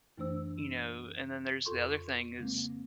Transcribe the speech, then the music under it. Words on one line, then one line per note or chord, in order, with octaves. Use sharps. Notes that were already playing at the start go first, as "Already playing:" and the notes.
you know, and then there's the other thing is
F#2 E3 A3 D4 C5 E6
F2 F4 A4 C6 C#6
C#3 G#3 A#3 C4